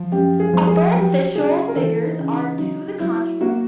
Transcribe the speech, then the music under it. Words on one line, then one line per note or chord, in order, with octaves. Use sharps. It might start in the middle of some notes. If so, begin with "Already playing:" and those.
Although official figures are to the contrary.
Already playing: F3
F#2 G4
G#4
F3
G#4
F#3 G4
C#3 G#4
A#4
E3 A4
D#4
C#3
D#4
F#3 D#4
F#3 E4
A#3 F#4